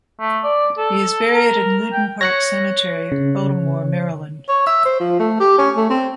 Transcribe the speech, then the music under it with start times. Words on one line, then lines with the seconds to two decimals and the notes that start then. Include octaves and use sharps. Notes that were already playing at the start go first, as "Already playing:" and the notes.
He is buried in Loudon Park Cemetery, Baltimore, Maryland.
0.20 A3
0.44 D5
0.78 A4
1.34 A#4
1.93 G5
2.21 C#5 F#6 A#6 C#7
3.12 C#3
4.49 C#5
4.67 E5
4.85 C5
5.00 F3
5.20 A3
5.40 G4
5.58 C#4
5.77 A3
5.90 C4